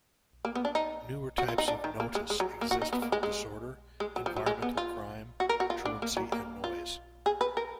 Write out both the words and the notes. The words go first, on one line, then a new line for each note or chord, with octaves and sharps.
Newer types of notice exist for disorder, environmental crime, truancy and noise.
A#3
B3
D4
D#4
F#4
F4
D#4
D4
D#3
A#3
G#3
G#3
F#3
A#3
F#4
D#4
B3
A#3
G#3
G#3
G#3
F#3
F3
F#3
G#3
B3
F4
F#4
A#4
F#4
F4
D4
A#3
F#3
A#3
F4
G#4
B4
A#4